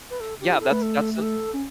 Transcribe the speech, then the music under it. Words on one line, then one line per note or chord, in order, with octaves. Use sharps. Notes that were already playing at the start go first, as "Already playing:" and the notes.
Yeah, that's that's an
B4
A4
G4
E4
A4
A3 B4
A4
G4
A4
C#4